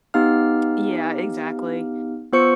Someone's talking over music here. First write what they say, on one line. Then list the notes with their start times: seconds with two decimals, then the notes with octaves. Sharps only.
Yeah, exactly,
0.14 B3 D#4 G4 F5 F6
2.33 B3 F4 C5 C#6 E6 C#7